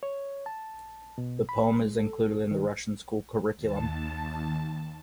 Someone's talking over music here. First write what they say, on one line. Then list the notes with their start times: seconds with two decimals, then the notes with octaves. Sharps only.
The poem is included in the Russian school curriculum.
0.03 C#5
0.46 A5
1.18 B2
1.49 B5
1.81 G#3
1.99 A4
2.51 D#3
3.56 D#2 A5